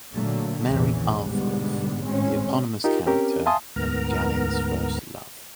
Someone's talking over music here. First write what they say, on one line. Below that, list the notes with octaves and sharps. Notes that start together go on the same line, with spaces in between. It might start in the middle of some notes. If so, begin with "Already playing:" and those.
Mary Alfyorov - The eponymous character and Ganin's first love.
A#2 D3 F#3 A3 A#3
A#1 E2 A#2 C#3 E3
G#2 B2 D3 G3 B3
G#1 A2 G#3 C4 C#4
D#4 F4 G4 A#4
C4 C#4 G4 A#4
E5 F5 G#5 A5 C6 D#6
D2 G#2 B3 A#4 A#5